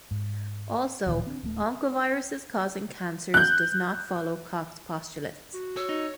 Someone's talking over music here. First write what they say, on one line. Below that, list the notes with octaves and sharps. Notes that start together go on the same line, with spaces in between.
Also Oncoviruses causing cancers does not follow Koch's postulates.
G#2
D1 A#2 D#3
C4 D4
D1 G#3 A3
F#6 G6
F#4
C#5 E6
D#4